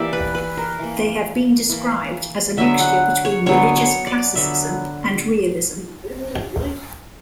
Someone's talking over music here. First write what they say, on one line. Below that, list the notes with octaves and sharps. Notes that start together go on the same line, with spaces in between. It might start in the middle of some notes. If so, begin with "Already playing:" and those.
They have been described as a mixture between religious classicism and realism.
Already playing: E3 A#3 G4 D5 E5
B4
B4
A#4
E3 A#3
E3 A#3
D3 F#3 B3 E5
F#5
C#5
D3 F#3 B3 C#5
C#5
D5
D3 F#3 B3 E5